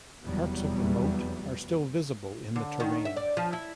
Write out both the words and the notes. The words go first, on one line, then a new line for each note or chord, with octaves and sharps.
Parts of the moat are still visible in the terrain.
F1 E2 F#3 G3 B3
D3
D#3
E5
D5
F3
E4